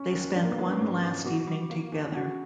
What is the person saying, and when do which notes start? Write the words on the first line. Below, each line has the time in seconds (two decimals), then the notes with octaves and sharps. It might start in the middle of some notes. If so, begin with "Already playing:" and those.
They spend one last evening together.
Already playing: C#4
0.12 D#2
0.35 F3 D4
0.43 A#3
0.51 B3
0.58 G#3
0.65 C#4
0.80 G#2
1.02 G#2
1.25 B2 F#4
1.47 G3
1.70 A#3
1.92 E2
2.15 C#3 F#4